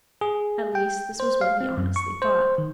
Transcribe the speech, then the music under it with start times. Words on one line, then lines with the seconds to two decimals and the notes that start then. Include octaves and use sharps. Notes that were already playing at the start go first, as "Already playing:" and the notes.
At least, this was what he honestly thought.
0.21 G#4
0.75 G5
1.20 C5
1.41 F5
1.61 C4
1.78 F#2
1.96 C#6
2.22 C5
2.58 D#3